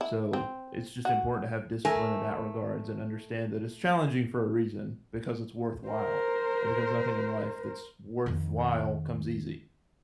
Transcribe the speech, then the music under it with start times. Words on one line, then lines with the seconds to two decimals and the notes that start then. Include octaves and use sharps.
So, it's just important to have discipline in that regards and understand that it's challenging for a reason because it's worthwhile, and because nothing in life that's worthwhile comes easy.
0.01 E4
0.33 C4
1.05 F#4
1.85 A3 A#4 G#5
5.88 A#4 C5
8.26 F2 D#3